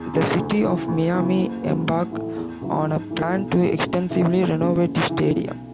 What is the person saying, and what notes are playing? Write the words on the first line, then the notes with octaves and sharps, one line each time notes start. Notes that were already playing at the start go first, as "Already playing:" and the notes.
The City of Miami embarked on a plan to extensively renovate the stadium.
Already playing: E2
C#3 G#3
D2
C#3 E3
D2
C#3 E3 B3
F#1
F#2 C#3 F#3 B3
A1
A2 E3 A3
E2
C#3 F#3 B3 E4
G#2
E3 A3
B1
A2 G#3
F#2
C#3 E3 B3 E4
F#1
F#2 D3 G#3 C#4
F#2
C#3 E3
B1